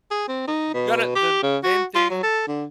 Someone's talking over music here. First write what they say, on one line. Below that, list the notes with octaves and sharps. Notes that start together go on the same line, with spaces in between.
You gotta the main thing
G#4
C4
D#4
B2
G4
C#3
F#4
F4
F#3
A4
D3